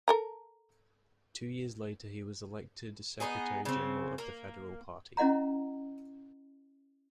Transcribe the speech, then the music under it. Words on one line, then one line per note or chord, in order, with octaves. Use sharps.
Two years later he was elected secretary general of the federal party.
A4 A#4 A#5
B3 C4 D#4 G#4
C#3 C4
A#3
C#4 E4 D#5 F#5 A#5